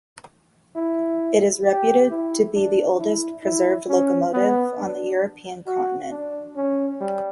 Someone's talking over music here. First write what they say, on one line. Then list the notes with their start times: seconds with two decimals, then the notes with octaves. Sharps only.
It is reputed to be the oldest preserved locomotive on the European continent.
0.76 E4
1.65 G4
2.10 E4
2.54 D4
2.99 E4
3.44 E4
3.88 C#4
4.33 B3
4.78 D4
5.67 F#4
6.11 D4
6.56 C#4
7.01 G3